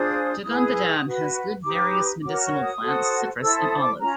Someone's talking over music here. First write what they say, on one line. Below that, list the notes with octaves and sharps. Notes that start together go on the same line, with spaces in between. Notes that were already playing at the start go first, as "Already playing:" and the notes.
Dogonbadan has good various medicinal plants, citrus and olive.
Already playing: D4 F4 G#4 C5 D#6
E4 G#4 B4
F#4 B4
D#4 G4 B4 D6
F#4 A#4 C#5 D6
C#6
D#6
F#4 A4 C5
E4 A4 C5 E6
D#6
D6
C#4 F4 A#5